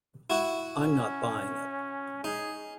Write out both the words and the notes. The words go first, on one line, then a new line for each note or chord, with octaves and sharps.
I'm not buying it.
E4 F#4
C#4
D#4 G#4